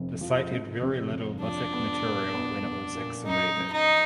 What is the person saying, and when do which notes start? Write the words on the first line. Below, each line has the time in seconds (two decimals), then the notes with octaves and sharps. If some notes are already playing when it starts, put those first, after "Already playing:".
The site had very little lithic material when it was excavated.
Already playing: F1 F2
0.21 F3
0.51 F2
0.82 F1
1.12 F1
1.42 F3 D4
1.73 B3
2.04 A#2
2.34 B3
2.64 B3
2.95 A#2
3.26 F#2 D#4
3.57 F#2
3.72 D#4